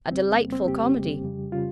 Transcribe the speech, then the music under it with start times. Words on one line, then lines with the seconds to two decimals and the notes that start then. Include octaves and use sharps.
A delightful comedy.
0.10 F2 C#3 G3 C4
0.39 F2 C#3 G3 A#3
0.53 C4
0.68 F2 C#3 G3 G4
0.96 F2 C#3 G3
1.24 F2 C#3 G3
1.52 C#3 G3 F4